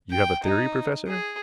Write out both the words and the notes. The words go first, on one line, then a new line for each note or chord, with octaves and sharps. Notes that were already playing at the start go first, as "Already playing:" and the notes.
"You have a theory, professor?"
G5
D#4
G#4